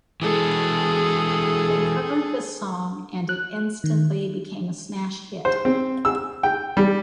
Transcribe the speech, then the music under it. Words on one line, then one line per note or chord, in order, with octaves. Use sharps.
They covered the song and it instantly became a smash hit.
E3 G#3 G#4 A4
F#6
D#3
C5
C4
E6
G5
G3